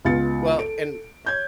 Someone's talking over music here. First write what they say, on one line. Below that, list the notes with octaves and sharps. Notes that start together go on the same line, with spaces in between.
Well and
C#2 B3 F4 A6 C#7
A4 D7
C#5 G6 G#6